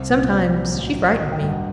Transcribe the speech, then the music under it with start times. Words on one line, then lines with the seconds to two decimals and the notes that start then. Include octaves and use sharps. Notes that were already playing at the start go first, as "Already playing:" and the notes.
Sometimes she frightened me.
Already playing: C2 C5
0.08 A#2
0.25 C5
0.30 A#2 D5
0.52 F#3
0.74 A1
0.96 F#3
1.17 F#3 D#5
1.32 G5
1.39 G2
1.47 F#5